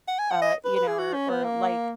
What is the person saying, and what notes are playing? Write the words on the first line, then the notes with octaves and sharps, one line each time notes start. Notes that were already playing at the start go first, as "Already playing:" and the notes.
uh, you know, or or, like,
F#5
G#5
F#5
D#5
B4
B4
G#4
F#4
C#4
B3
A#3